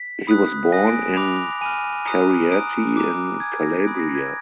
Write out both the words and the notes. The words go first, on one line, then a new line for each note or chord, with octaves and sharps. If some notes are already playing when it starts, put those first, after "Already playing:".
He was born in Cariati in Calabria.
Already playing: B6
B5 D#6 F#6
G#5 D#6 F#6 A#6
D7
D7
B5 D6 F#6 F7
G#5 B5 F6 D#7
A#5 D#6 F#6
A#5 D#6 F#6 D7
A#5 D6 F#6
G#5 D#6 F#6 G#6
A#6
B5 D#6 F#6 D7
A#6
G#6